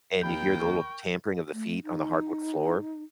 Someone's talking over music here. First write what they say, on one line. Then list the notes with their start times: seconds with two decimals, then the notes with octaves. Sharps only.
and you hear the little tampering of the feet on the hardwood floor,
0.22 D#2 A#4 G5 B5 G6
0.59 C#6
1.52 A3
1.84 D#4